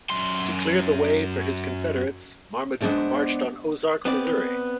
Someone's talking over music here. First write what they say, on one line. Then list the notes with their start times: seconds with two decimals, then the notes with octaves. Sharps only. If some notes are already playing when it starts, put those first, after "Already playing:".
To clear the way for his Confederates, Marmaduke marched on Ozark, Missouri.
0.10 F#2 C6
2.81 G#3 B3 C4 D4 C5 D5
4.05 B3 C4 D5